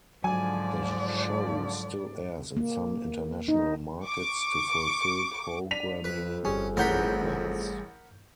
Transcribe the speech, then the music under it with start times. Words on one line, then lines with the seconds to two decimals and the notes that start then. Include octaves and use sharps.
The show still airs in some international markets to fulfil programming commitments.
0.24 G#2 D3 F3 F#3 D5 G#5
2.57 A#3
3.48 D#4
4.06 C#6 D6
5.71 D4 B6 D#7 F7
6.04 F2 B4
6.45 G1 G3 C#4 G#4
6.77 A1 A#4 F#5 B5 G6